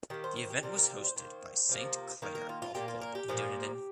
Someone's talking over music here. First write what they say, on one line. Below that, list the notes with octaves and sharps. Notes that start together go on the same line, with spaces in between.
The event was hosted by St Clair Golf Club in Dunedin.
D#3 A#3 G4
C5
C5
G4
C3 G3 A#3 A#4
A#4
G4
C5
D#3 A#3 C5
C3 F3 A#3
D#3 A#3 A#4
A#4
F4
F4
A#2 A#3 G4
F4
A#4
G4
A#2 F3 A#3